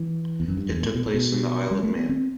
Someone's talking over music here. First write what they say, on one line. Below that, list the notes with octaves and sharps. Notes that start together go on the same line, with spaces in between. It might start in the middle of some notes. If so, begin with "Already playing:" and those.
It took place in the Isle of Man.
Already playing: E3
E2
F#2
G2
E2
A2
B2
A2
B2
G3
A3
B3
C4